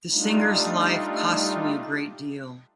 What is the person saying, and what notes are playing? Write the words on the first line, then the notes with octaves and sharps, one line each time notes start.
The singer's life cost me a great deal.
G3 A3 D4 D#4 F4